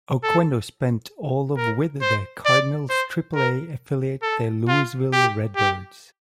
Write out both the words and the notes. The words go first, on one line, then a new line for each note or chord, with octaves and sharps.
Oquendo spent all of with the Cardinals' triple A affiliate the Louisville Redbirds.
A4
A#4
C5
D5
C5
A#4
A4
F4
G4
G4